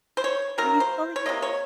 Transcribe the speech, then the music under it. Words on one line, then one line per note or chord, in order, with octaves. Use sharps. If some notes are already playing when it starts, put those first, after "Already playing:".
why are you calling me?"
C5
C#5
D#3 F#3 A#3 A#4
C5
C#5
C3 F#3 A#3 D#5
C#5